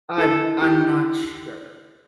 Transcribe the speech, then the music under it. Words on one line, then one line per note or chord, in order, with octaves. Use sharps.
I'm I'm not sure.
E4 A4
E4 G4